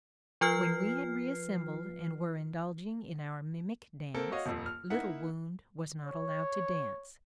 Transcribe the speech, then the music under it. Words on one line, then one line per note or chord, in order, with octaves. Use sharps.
When we had reassembled and were indulging in our mimic dance, Little Wound was not allowed to dance.
F3 F4 B4 F6 C7
A#3 C4 A4
F#4 C#5 D#5 F5
D#1 F2
F6
A#3 D#4 E4 E5 F#5
C#5